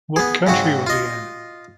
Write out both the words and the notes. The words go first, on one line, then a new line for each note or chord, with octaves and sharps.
What country was he in?
B3 G#4
G#2 C#3 C4 F#4
F4 D#5